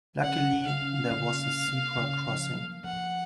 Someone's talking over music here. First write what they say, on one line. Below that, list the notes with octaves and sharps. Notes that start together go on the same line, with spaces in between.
Luckily there was a zebra crossing.
C#4 F#5
C#3
F5
C#4
C#3
A#3
A#3
C#3
F3
A#3
F3 F#5